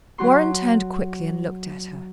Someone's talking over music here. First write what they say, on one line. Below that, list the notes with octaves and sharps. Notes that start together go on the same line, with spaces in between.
Warren turned quickly and looked at her.
F#3 F#4 C6